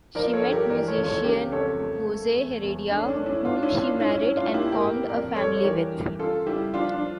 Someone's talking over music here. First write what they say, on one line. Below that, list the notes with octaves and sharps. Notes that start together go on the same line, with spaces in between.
She met musician Jose Heredia, whom she married and formed a family with.
F3 A#4 D5
A4 C#5
G2
G4 A#4
E3 A#4 D5
A4 C#5
C#2
A4 C#5
C#3 G4 A#4
F2 A4 C#5
A3
A3
E2
E2
A3 D4
C#4
D4
A3
C#4 E4
A2 D4 F4
D4
C#4 E4
A2
D4 F4
G2 C#4 E4
C#4 E4
G2
D4 F4
A#3 E4 G4
G4 A#4
A2
F2 A#4 D5
G3 A4 C#5
C#5
E3 G4 A#4
G2
C#3 F4 A4
G3 E4 G4
F3 D4 F4
D4
F3